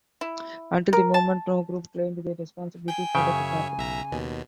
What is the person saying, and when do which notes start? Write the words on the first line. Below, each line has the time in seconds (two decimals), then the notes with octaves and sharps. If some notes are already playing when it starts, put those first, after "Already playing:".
Until the moment, no group claimed their responsibility for the kidnapping.
0.21 E4
0.93 A#4
1.14 A5
2.88 G5 G#5 G6
3.15 F#2 C#3 C#5 E5 G5
3.78 B1 E5 A#5
4.12 D#2 B2